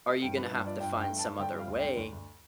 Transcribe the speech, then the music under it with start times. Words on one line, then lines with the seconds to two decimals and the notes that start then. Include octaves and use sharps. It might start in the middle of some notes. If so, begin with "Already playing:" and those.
Are you gonna have to find some other way
0.09 A3
0.22 G2 G5
0.37 F3 B4
0.52 G2 B4
0.66 F3 D5
0.80 G2 G5
0.95 G2
1.00 G5
1.09 A3
1.19 A5
1.24 G2
1.39 D3 G5
1.53 G3
1.59 F5
1.68 D2
1.79 D3 G5
1.97 D2
2.12 D2